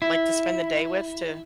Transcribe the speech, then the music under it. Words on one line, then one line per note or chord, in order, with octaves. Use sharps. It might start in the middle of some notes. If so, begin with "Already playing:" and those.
like to spend the day with to
E4